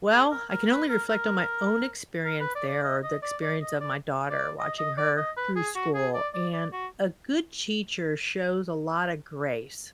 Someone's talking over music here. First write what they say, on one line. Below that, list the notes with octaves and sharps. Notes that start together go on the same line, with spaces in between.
Well, I can only reflect on my own experience there or the experience of my daughter watching her through school, and a good teacher shows a lot of grace
G#4
A#4
A#4
B4
A#4
A#4
A#4
B4
D5
D5
D#5
D#5
D5
D5
D#5
D5
D5
D#5
D#5
D5
D#5
B4
G#4
F#4
G#4
D5
D5
D5
F#4